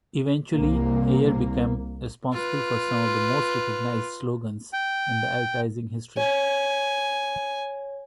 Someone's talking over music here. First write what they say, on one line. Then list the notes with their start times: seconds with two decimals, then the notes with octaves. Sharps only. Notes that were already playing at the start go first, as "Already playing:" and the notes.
Eventually Ayer became responsible for some of the most recognized slogans in advertising history.
0.55 C2 A#3
2.33 F4 B4
4.73 G5
6.17 C#5 G#5